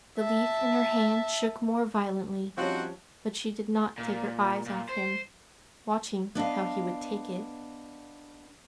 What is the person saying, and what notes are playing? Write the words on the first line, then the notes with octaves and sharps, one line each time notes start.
The leaf in her hand shook more violently, but she did not take her eyes off him, watching how he would take it.
E5 A5
F3 G3 C4 C#4 D#4 F#4
A#2
A#2
C5
B3 D4 D#5 F5